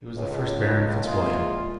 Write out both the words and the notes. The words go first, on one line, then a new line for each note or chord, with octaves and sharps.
He was the first Baron FitzWilliam.
C#2
E2 G#3 A#3 F4